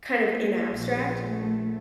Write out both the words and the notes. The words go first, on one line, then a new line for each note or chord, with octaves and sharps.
kind of in abstract.
A#3
A#1
A3